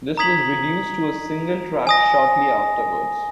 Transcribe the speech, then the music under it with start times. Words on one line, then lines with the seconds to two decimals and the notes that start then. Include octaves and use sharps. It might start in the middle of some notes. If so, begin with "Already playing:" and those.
This was reduced to a single track shortly afterwards.
0.17 A#5 D#6 G#6 B6 F#7
1.87 G#5 D#6 A#6